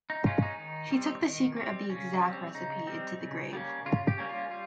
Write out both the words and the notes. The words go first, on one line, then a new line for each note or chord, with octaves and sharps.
He took the secret of the exact recipe into the grave.
D#4
G#3 C#4 F4
D#4
D#3
G3 C4
D#3
G3 C4
C#3 C#4
G3 C4
C#3 D#4
G3 C4
C#3
G3 A#3 C#4
C#3 F4
G4
G3 A#3 C#4
F4
G3 F4